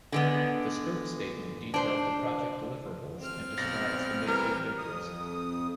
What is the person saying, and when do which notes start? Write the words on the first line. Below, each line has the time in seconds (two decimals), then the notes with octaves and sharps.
The scope statement details the project deliverables and describes the major objectives.
0.12 D3 G#3 B3
1.74 D4 C5
3.18 C4 F6
3.57 B1 A6 A#6
4.27 E3 G3 A#4
4.78 F2 D#6